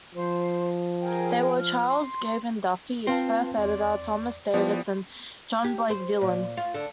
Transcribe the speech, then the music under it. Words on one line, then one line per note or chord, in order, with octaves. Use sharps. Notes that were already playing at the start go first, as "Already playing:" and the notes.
They were Charles Gavan Duffy, its first editor; Thomas Davis, and John Blake Dillon.
F3 C5
G#4 A#4 G5
F6
C6
C4 F4 B4 C5 F5 A5
E2 D5 C6
F3 B3 E4 G4 D5
G4
C5
A#2
F4
D3